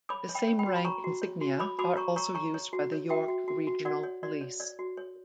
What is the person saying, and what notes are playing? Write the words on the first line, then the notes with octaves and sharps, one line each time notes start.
The same rank insignia are also used by the York Regional Police.
C#5 B5 D6
C#5
G5 B5
C#5
G5 B5
F#4
B5
C#5 A#5 C#6
F#4
C#5
F#4
C#5 B5 D6
F#4 B5 D6
C#5 A#5 C#6
C#5 A#5 C#6
C#5 A#5 C#6
C#5
F#4
C#5
F#4 E5 G5
F#4
F#4
F#4
F#4 D5 F#5
C#5
F#4 D5
C#5
C#5 D5
F#4
C#5